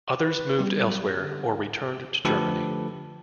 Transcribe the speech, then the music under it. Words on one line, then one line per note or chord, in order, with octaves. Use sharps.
Others moved elsewhere, or returned to Germany.
B4
G3 B3 G4
F#3
D3
D3 F3 A3 G4 A4 B4